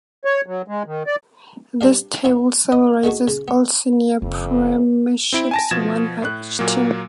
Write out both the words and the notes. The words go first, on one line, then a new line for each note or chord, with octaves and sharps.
This table summarises all senior premierships won by each team.
C#5
F#3
G#3
D#3
D5
G3 D4 F5
B3 C#4 E4
D#5
D3 G#3 A3 F#4
C#3
B3
F#1 F2
C4 E4 D7
G#5 A5 A#6
B2 F3 G#6 A6 E7
A2 F#6
A#2 F#3 A#3